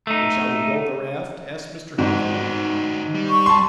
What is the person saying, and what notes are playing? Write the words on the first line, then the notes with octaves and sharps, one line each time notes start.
"Then shall we build the raft?" asked Mr. Hosbrook.
A3 D#4
G#2 D#3 F#4
G3
C#6
A5 C6